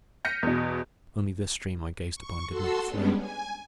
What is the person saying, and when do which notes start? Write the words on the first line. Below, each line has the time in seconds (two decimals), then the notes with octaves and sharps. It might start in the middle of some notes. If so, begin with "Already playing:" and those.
Only this stream I gazed upon did not flow.
0.25 F6 G6 A#6 B6 C#7 D#7
0.43 E2 B2
2.14 C#6
2.49 F#4 A4 C6 E6
2.88 G3 G#3 B3 C#4 D4
3.17 G#5